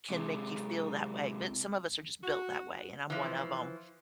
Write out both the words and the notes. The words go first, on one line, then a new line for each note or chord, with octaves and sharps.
can make you feel that way, but some of us are just built that way and I'm one of 'em,
C3 G#3
F#4
E3 F3